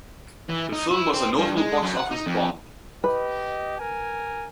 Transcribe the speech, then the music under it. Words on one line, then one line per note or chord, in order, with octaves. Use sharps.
The film was a notable box-office bomb.
E3
D#4
E4
C4
G2
G#3
F#2
F#5
D#4
F2
G4 B4 D#5
A#4 G#5